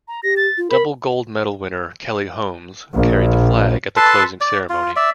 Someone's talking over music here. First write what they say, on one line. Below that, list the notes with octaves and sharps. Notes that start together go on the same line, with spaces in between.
Double gold medal winner Kelly Holmes carried the flag at the closing ceremony.
A#5
G4 A#6
A6
F4
A#4 B5
A#1
A4 B4 A5 C6
D5
F4
D5 E5